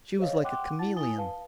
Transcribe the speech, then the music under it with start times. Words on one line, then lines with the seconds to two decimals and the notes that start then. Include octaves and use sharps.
She was like a chameleon.
0.19 G#4 C5 C#5 D#5 F5
0.44 F#5 G5 C6 D6 F#6
0.79 E4 F#5 A5 A6
0.96 E4 G#5 D#6 A6 G7
1.17 B4 F5 A5